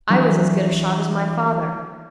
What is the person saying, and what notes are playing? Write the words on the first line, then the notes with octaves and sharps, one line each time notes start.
"I was as good a shot as my father."
E3 F#3 D4